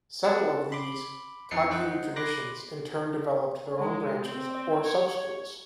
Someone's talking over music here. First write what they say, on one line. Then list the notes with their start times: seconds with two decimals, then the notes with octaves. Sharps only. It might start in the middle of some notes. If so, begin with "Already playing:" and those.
Several of these Kagyu traditions in turn developed their own branches or sub-schools.
0.24 C4 F#5 A5
0.72 B5 C6 D6
1.51 F2 E3 D#4 B4 C7 C#7
1.71 D#4 C5 F#5
2.16 B5 C6 D6 F#6 A#6
3.80 G#3
4.23 C4
4.84 C#5